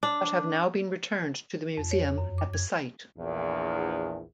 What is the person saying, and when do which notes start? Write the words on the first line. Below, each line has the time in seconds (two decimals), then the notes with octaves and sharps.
But have now been returned to the museum at the site.
0.03 D4
1.77 F2
1.91 C#5
2.18 F#2
2.38 D6
2.54 G#6
3.18 A#1 E2